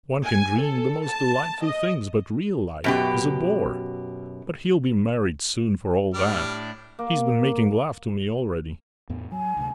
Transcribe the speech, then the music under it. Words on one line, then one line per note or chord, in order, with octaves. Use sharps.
One can dream the most delightful things, but real life is a bore.' But he'll be married soon for all that; he's been making love to me already.
G#5
A4
A5
D#5
F#2 B2 G4
A2 G3 D4 D5 F6
A#3
E2 A2 B3
F#3 G#5
D2 C3